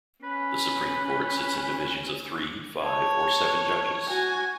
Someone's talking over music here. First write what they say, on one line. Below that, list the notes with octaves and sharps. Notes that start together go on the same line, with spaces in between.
The Supreme Court sits in divisions of three, five or seven judges.
C#4 B4
C#5 A5
F#4 G#5